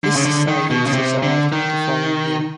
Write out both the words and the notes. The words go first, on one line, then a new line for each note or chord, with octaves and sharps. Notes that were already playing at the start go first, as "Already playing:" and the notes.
This society was dissolved the following year.
D3
C#3
D3
D#3
B2
C#3
C3
D3
D#3